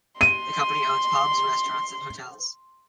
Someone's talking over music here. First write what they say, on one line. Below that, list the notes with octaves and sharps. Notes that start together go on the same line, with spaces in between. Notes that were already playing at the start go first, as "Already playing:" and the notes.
The company owns pubs, restaurants and hotels.
C6 D#7